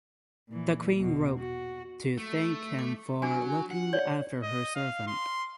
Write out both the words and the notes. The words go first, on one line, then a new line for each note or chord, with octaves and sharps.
The queen wrote to thank him for looking after her servant.
A#2 E3
E2 B2
F#4
A3
D6
F#3 D4 G#5
F#5
C#5 D5
D#5
F5
C6